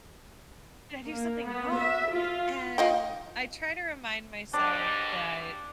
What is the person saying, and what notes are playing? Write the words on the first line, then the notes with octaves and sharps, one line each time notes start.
did I do something wrong?" And I try to remind myself that
A#3
B3
E5
F4
F4 D#5 G5
D#2 G#2 D4 G4